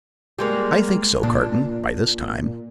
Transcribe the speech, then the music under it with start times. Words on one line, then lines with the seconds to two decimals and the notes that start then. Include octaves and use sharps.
"I think so, Carton, by this time."
0.39 G3 G#3 A#3
1.23 A#2 D4